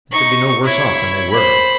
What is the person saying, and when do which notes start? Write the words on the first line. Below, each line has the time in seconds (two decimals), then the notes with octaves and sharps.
They could be no worse off than they were.
0.11 D#4 C#6
0.64 E4 C#5
1.30 C5 B5